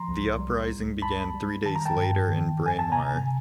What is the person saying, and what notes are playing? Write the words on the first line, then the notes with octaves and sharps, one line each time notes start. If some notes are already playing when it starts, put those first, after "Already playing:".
The uprising began three days later in Braemar.
Already playing: F3 A#5 C6
C2
G3
C#2
G3 A5 B5
G3
D#3 A5
A#5
G5 A5
G2
D#3
G2
G#5
A5
C3 G#5 A#5
C3